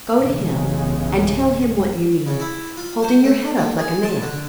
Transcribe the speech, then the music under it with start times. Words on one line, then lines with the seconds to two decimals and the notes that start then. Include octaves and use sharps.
Go to him, and tell him what you mean,--holding your head up like a man.
0.18 B1 E2 G2 C#3 G#3
2.27 C#3
2.40 E4
2.77 F4
3.03 C5
3.24 A3
3.57 A#3
3.79 G#4
4.03 A5
4.22 D3